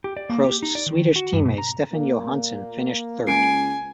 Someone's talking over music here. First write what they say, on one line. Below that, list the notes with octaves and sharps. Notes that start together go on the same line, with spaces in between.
Prost's Swedish team mate Stefan Johansson finished third.
G4
D5
A#3
G4
D#4
D5
D#3
F#4
G2
B2
A#5
A#2 A#3
C#2 G#5 C7 D7